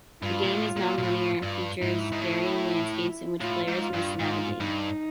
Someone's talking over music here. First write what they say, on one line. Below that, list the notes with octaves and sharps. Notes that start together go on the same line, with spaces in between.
The game is nonlinear and features varying landscapes in which players must navigate.
G2 F4
A#2
A2
A#2
A#2
A2
G2
G#2 E4
G#2
A2
A2 F4
G#2
F4
G2
G#2 F4
G2 D#4